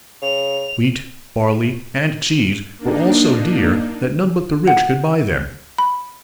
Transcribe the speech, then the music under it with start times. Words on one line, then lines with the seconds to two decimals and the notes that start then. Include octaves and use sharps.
Wheat, barley and cheese were all so dear that none but the rich could buy them.
0.22 C#3 F7
2.77 A#3 D4 D#4
4.68 F#5
5.78 B5